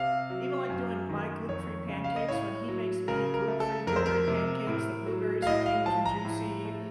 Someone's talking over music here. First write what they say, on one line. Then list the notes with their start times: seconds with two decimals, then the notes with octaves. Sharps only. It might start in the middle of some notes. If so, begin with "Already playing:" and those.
Even, like, doing my gluten-free pancakes, when he makes me gluten-free blueberry pancakes, the blueberries are huge and juicy,
Already playing: C3 F5
0.30 F#3
0.70 F#2
1.09 D#3
1.48 F2 C#5
1.89 C#3
2.04 F5
2.16 D#5
2.28 A2 C#5
2.68 F#3
3.08 C#3 A#4
3.34 A#4
3.48 A3
3.60 A4
3.87 F2 A#4
3.96 C5
4.06 A#4
4.28 C3
4.67 A2
5.06 F#3
5.42 F5
5.47 A2 D#5
5.66 F5
5.86 F3 A5
6.05 A#5
6.25 A2
6.65 A3